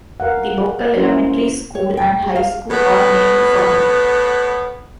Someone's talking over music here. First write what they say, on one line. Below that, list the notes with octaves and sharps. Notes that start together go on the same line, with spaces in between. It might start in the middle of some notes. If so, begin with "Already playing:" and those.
The local elementary school and high school are named for him.
A#4 F5 F#5
A#3 C#4 E4 A#4 C5
C#5
G5
G#4
F5
A2 B3